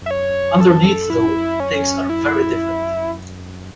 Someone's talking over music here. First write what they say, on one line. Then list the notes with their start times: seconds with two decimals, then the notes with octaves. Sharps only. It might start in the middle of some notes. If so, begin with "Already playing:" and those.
Underneath, though, things are very different.
0.06 E5
0.11 C#5
0.61 A4
1.10 E4
1.60 C#4
2.09 E4